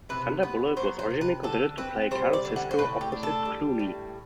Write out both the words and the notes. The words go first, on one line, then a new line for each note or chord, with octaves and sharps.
Sandra Bullock was originally considered to play Karen Sisco opposite Clooney.
C3 B4
B3 B4
F#3 C5
C5
C3
B4
D3 A4
C4 B4
G3 C5
D5
D3
F#5
C5
A2 B4
G4
D4
A4
G3
A2